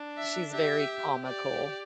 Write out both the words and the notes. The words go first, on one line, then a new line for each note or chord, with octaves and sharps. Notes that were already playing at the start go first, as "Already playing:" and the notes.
She's very comical,
Already playing: D4
E5
G4 E5
G4 D5